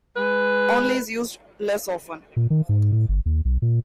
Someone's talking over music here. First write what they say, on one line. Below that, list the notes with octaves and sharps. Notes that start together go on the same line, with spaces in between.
Only is used less often.
G#3 B4
A#2
D#3
G#2
A2
G1
D#2
B1
A#2